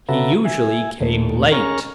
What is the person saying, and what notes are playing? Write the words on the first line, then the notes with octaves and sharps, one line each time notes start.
He usually came late.
C#3 F#4 A4 B4 E5 A#5
E5 G#5
D#2 A#2 A3
C#4 G#4 A#4 A#5 C#6 F6